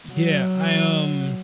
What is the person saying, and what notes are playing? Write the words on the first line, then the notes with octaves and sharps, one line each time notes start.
Yeah, I, um
F#3